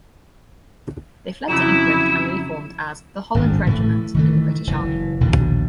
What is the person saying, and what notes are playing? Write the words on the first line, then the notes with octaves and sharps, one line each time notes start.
They fled to England and reformed as 'The Holland Regiment' in the British Army.
F2 C#3 F#3 E4 E7
G#1 F#2 D3
A2 E3 A3
D#3 E3 A3
F#1 E3
A#1 D#2 B2 D3